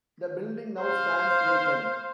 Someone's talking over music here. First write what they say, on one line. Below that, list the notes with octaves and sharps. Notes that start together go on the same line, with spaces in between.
The building now stands vacant.
C5 F5